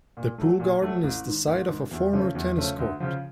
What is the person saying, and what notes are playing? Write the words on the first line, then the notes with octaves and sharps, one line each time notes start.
The pool garden is the site of a former tennis court.
A#2
F#3 A3
A#2
F#3 A3
A1
G#2 D#3
A1
G#2 D#3
E2
C#3 F3 A3 C#4
E2
C#3 F3 A3 C#4
D2
C#3 F3